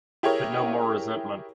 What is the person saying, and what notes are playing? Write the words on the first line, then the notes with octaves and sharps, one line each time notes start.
But no more resentment.
E4 G4 G#4 A#4 C#5